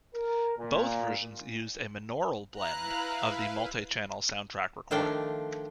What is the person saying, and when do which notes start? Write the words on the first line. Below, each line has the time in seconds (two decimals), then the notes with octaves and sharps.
Both versions used a monaural blend of the multi-channel soundtrack recording.
0.15 A#4
0.58 A#2
2.56 E4 B4 F5 A#5 F#6
4.91 D#3 F3 A3 D4 F5 G5